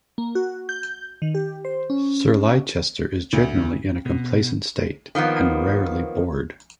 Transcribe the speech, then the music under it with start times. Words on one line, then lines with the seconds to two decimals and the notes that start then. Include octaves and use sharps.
Sir Leicester is generally in a complacent state, and rarely bored.
0.18 A#3
0.35 F#4
0.69 G6
1.22 D#3
1.35 G4
1.65 C5
1.90 C#4
3.33 D2
4.05 B2
5.15 D#3 F3 A#3 B3